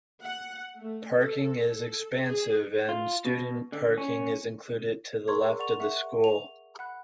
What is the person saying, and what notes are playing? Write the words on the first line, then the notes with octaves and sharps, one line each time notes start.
Parking is expansive and student parking is included to the left of the school.
F#5
A3
A4
A4
G#4
F4
B2
D3
C#4
G#4 A#4 A#5 C6 C#6 G#6
D5 F#5 C#6 F7
E5 F#5 C#6
F7
F#5 B5 F#6